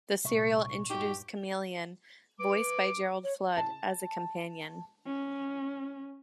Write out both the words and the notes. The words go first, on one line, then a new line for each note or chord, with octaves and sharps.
This serial introduced Kamelion, voiced by Gerald Flood, as a companion.
C2 A#2 E5 C#6
G2 D#4 F#4 G4 C#5
B4 D6
C#5
A5
C#4